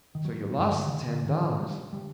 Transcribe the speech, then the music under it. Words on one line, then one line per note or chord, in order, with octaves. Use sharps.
"So you lost the ten dollars."
D#3
F#3
G2 D3
D#3
D3
A2 D#3
G3
D3 G3